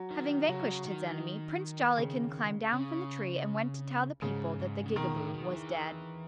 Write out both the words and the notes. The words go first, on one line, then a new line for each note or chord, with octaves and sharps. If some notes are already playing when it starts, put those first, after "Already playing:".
Having vanquished his enemy, Prince Jollikin climbed down from the tree and went to tell the people that the Gigaboo was dead.
Already playing: F#3
D#3
C#3 F#3
D#3
C#3
C#3
G#2 C#3
G#2
C#3
B2 D#3
A2
B2
E3